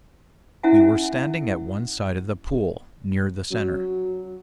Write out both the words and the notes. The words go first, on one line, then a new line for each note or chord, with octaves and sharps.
We were standing at one side of the pool, near the center.
C#4 E4 E5 F#5 G#5
F#3